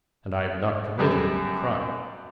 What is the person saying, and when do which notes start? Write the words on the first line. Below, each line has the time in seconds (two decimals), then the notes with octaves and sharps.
And I have not committed any crime.
0.98 F#2 G3 B3